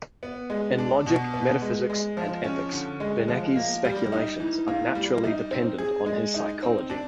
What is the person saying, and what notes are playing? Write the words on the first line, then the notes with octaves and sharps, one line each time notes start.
In logic, metaphysics and ethics, Beneke's speculations are naturally dependent on his psychology.
B3
G#3
D4
B2
B3
G#3
G#3
F3
C#4
D3
G#3
F3
A#3
G3
D#4
E3
A#3
G3
D#4
C4
G#4
G#3
D#4
C4
D4